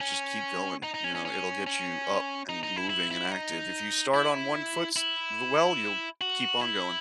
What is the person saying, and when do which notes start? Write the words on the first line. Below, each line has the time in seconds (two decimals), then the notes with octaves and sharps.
just keep going, you know? It'll get you up and moving and active. If you start on one foot s well, you'll keep on going.
0.01 C#4
0.83 D#4
0.94 D#4
1.04 C#4
1.15 C#4
1.25 C#4
1.67 C#4
2.49 D#4
2.63 D#4
2.76 E4
2.90 E4
3.11 E4
3.32 D#4
4.14 E4
4.96 E4
6.21 F#4
6.61 E4